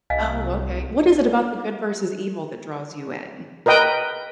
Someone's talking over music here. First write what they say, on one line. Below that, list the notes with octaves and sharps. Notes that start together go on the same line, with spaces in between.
Oh, okay. What is it about the good versus evil that draws you in?
C2 D#5 F5 G#5
A#4 B4 D#5 G5